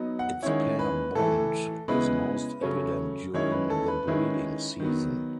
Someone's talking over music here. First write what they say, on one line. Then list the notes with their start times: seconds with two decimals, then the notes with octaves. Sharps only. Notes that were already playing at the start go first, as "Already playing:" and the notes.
Its pair bond is most evident during the breeding season.
Already playing: F#3 B3 D#4
0.19 F#5
0.42 D#3 G#3 C#4 E4 C#5
0.79 B4
1.15 A2 E3 A3 A4
1.88 C#3 G#3 B3 E4 B4
2.62 C#3 F#3 A3 C#4
3.34 D#3 G#3 C#4 E4 C#5
3.52 B4
3.70 A4
3.88 B4
4.07 D#3 G#3 C#4 E4
4.80 D#3 F#3 B3